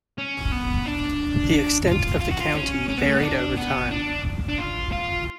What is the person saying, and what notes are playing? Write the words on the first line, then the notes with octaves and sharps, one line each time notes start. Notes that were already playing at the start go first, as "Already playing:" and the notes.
The extent of the county varied over time.
C#4
B3
D4
F4
F4
F#4
F4
C#4
C#4
B3
A3
B3
D4
B3
D4
D4
F4
F4